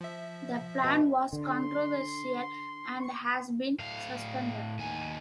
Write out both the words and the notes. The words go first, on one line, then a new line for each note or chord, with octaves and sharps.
The plan was controversial, and has been suspended.
F3 E5
B2
D3 C6
A2 F5
D#2 G#5